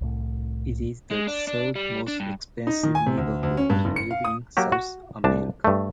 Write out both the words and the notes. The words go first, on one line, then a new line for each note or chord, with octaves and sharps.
It is the third most expensive neighborhood to live in South America.
C2 A2
G#3
D4
D4
G3
D4
G2
D#4
D#3
G#5
C3
D2
D2
C#4
G2
F#1
C#7
F5
D#6
F#3 A#3 F#4 G4
F#4
C2 D4 A5
G2 A3